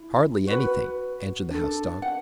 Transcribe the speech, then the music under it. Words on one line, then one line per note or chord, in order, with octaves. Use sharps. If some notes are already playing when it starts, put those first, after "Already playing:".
"Hardly anything," answered the House Dog.
Already playing: E4
F#4 B4
D4 A4
F#5